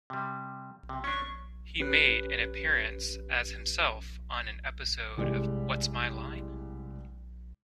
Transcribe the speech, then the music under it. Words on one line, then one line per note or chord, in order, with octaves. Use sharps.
He made an appearance as himself on an episode of What's My Line?
C3 G3
C3
C#4 D4 C#6
C#4 G4 B4 F#6
C2 G#3 G4 D5